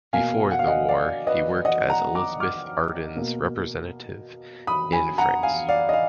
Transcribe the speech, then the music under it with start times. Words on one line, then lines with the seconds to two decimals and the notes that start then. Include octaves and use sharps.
Before the war he worked as Elizabeth Arden’s representative in France.
0.13 B2 A#3 F5 G#5
0.51 F#5
0.59 F5
0.67 D#5 F#5
0.89 D5 F5
1.27 B4 D#5
1.65 D#5 F#5
1.90 F#5 A#5
2.15 A#5 D6
2.40 D6 F6
3.16 B2 A#3
4.67 B5 D#6
4.93 G#5 B5
5.18 F#5 A#5
5.43 F5 G#5
5.69 D5 F5
5.89 D#5
5.93 F5